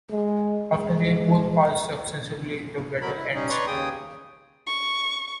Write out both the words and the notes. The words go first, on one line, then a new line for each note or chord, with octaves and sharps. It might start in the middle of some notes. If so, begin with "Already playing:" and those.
After they both pass successively the battle ends.
G#3
G#3
B2 F#3 A#4 B5
E4
G3 C#4 D#4
B4 C#5 D5 A#5 C6 C#6
D#2 C#3 G#4 G5 D#6
C#6